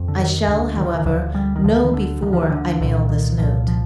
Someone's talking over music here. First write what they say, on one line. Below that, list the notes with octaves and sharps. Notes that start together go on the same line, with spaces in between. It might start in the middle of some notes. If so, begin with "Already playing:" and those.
I shall, however, know before I mail this note.
Already playing: F2
D3
D#3
D2 D3
D#3
F3
D#3
D2 D3 F3
G3
D#3
D2 D3 F3
D#3
D3
D2 D3 D#3
F3
D#3
D3
C2 A#2 D3
D#3
C2 A#2 F3
F3